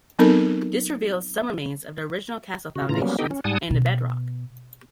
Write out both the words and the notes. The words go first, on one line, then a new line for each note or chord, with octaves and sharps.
This revealed some remains of the original castle foundations and the bedrock.
F#3 B3 C4 D#4 A4 A#4
C#3 F#4
A2 C#3 E3 F4 A#5
F#3 G3 A#3 B3 C#4
B3 D#4 G4 A4 D#5 G5
C#4
G#2 G3 F#5 G#5 A5 D#6
B2